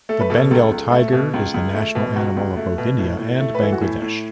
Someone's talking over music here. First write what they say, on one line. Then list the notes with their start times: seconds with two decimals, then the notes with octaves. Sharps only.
The Bengal tiger is the national animal of both India and Bangladesh.
0.09 A3 A4
0.20 B4
0.30 B2 A4
0.51 C#2 A4
0.71 C#2
0.92 A3
1.12 B2
1.34 C#2
1.54 C#2
1.74 A3
1.95 B2
2.16 C#2 F#4
2.37 C#2
2.57 A3
2.78 B2
2.99 A2
3.19 A2
3.40 A3
3.55 B4
3.61 E3 A4
3.72 F#4
3.81 A2 E4
4.02 A2